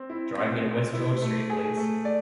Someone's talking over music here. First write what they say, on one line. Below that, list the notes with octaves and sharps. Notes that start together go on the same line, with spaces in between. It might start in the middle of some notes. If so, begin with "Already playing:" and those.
Drive me to West George Street please.
Already playing: C4
E4
C4
C4
E4
A3
G#4
A3
D5